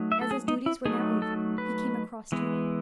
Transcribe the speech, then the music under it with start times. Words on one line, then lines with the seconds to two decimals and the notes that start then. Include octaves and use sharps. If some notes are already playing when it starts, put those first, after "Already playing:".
As his duties were now over, he came across to them.
Already playing: F#3 A3 D#4
0.12 E5
0.21 A4
0.31 G#4
0.48 D#4
0.66 E4
0.85 F#3 A3 D#4 G#4
1.22 A4
1.58 B4
2.32 E3 G#3 B3